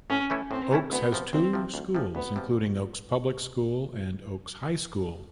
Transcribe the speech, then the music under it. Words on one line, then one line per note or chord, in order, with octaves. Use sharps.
Oakes has two schools, including Oakes Public School and Oakes High School.
A2 C#4
E3 A3 C#4 E4
A2 C4
E3 A3 C#4 E4
D2 B3
C3 F3
D2 C4
C3 F3
D2
C3 F3
D2 B3
C3 F3